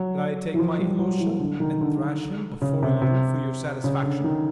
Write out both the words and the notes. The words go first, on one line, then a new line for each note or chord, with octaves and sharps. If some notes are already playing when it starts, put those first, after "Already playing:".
That I'd take my Ilusha and thrash him before you for your satisfaction?
Already playing: F#3
E3
F3
G3
F#3
E3
D3
D#3
D3
C#3
C3
C3
C#3
D3
D#3